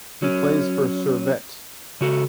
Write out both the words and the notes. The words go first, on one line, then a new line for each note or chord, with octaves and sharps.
He plays for Servette.
F#3 C#4
C#3 F#4 A4